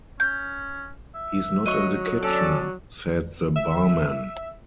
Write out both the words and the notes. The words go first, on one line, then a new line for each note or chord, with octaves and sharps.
"He's not in the kitchen," said the barman.
C#4 G6
E5
F#3 D#5 C#6
C#4 D4 A4 D5
E5